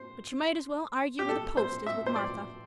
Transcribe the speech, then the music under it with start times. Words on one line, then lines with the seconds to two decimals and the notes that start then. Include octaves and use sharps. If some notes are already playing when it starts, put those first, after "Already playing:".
But you might as well argue with a post as with Martha.
Already playing: C5
1.19 G4
1.29 A4
1.57 C5
1.87 E5
2.07 C5
2.16 D5